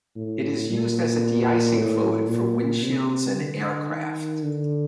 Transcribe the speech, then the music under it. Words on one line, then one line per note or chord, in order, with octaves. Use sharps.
It is used as a de-icing fluid for windshields and aircraft.
A2
A#2
A2
A#2
C3
D3
D#3
D3